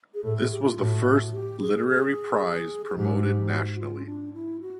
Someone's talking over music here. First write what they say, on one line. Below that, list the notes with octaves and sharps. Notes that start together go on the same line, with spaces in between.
This was the first literary prize promoted nationally.
G#4
A2 A4
G#4
G4
F4
A2 F#4
F#4
G4
G#4
G#4
G#4
G#2 G4
F#4
F4
C#4
D4
E4
F#4